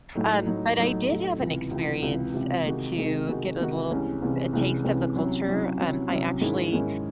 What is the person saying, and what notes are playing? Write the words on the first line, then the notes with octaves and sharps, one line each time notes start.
Um, but I did have an experience, uh, to get a little a taste of the culture. Um, I actually
A2 F#3 A3 D#4
A2 F#3 A3 D#4
A2 F#3 A3 D#4
A2 F#3 A3 D#4
C#2 C3 E3
C#2 C3 E3
C#2 C3 E3
C#2 C3 E3
C3 D#3 G#3 D#4 F#4
C3 D#3 G#3 D#4 F#4
C3 D#3 G#3 D#4 F#4
C3 D#3 G#3 D#4 F#4
C2 C3 E3 G#3 C#4
C2 C3 E3 G#3 C#4
C2 C3 E3 G#3 C#4
C2 C3 E3 G#3 C#4
C3 F#3 C#4 E4
C3 F#3 C#4 E4
C3 F#3 C#4 E4
C3 F#3 C#4 E4
G#2 D#3 G#3 C#4 E4
G#2 D#3 G#3 C#4 E4